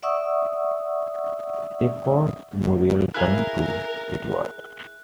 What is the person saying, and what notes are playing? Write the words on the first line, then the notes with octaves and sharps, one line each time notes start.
A pause — Muriel turned to Edward.
D5 E5 F#5 C#6 D#6 E6
E4 G#4 A#4 F5 F#6